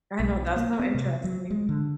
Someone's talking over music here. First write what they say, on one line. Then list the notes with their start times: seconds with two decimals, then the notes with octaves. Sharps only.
I know, that's so interesting.
0.20 B1
0.56 A#3
0.79 B3
0.95 C3
1.24 F#3
1.50 G#3
1.69 D3